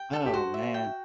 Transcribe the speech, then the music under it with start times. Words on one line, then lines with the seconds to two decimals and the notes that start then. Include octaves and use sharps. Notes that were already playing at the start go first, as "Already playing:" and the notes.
Oh, man.
Already playing: G5
0.13 A4
0.26 G4
0.34 F#4 C5
0.54 E5
0.74 G5